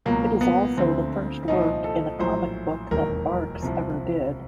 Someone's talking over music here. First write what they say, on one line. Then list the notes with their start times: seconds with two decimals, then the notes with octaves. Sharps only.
It is also the first work in a comic book that Barks ever did.
0.05 C#2 B2 F#3 A#3
0.41 B3
0.77 D2 D3 F3 C4
1.48 C2 A#2 F3 D#4
1.84 A4
2.19 A#1 A2 F#3 C5
2.91 E1 D#2 D#3 F#3 A#4
3.62 C2 C3 F3